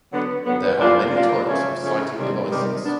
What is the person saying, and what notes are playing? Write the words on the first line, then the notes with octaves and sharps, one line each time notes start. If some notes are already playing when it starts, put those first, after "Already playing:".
There are many types of sighting devices.
D3 F#3 B3
D3 F#3 B3
G3 A#3 D4 F4
G3 A#3 D4 F4
C#3 F3 A3 C#4
C#3 F3 A3 C#4
C3 D#3 G3
C3 D#3 G3
B3 D4